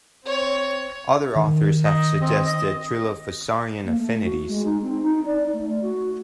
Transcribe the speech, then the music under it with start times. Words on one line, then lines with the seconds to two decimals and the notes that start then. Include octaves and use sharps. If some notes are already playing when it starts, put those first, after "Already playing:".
Other authors have suggested trilophosaurian affinities.
0.24 C4 C#5
1.36 D#3
1.84 D#5
2.21 C4 D#5
2.46 D#5
3.85 A#3
3.98 A3
4.22 F#4
4.48 G#3
4.65 D#4
4.81 C4
5.02 D#4
5.25 D5
5.52 A3
5.81 F#4